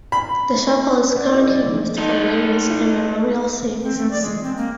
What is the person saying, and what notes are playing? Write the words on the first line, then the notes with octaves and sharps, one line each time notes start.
The chapel is currently used for weddings and memorial services.
B5
D5 F#5
C#4 E4 F#4 G#4 C#5 D#5
F#3 D5
E3 F3 A#3 B3 D4 D#4
D#4 A4
C4
A3
D5
G#3
C4
A#3